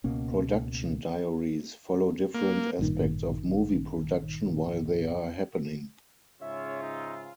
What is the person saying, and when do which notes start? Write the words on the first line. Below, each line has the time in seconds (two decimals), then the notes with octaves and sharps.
Production diaries follow different aspects of movie production while they are happening.
0.04 C#2 B2 A#3 C#4
2.34 A#3
2.79 A1 G2 A#2 D#3
6.41 G#2 C#3 F4 C#5 E5
6.82 D#4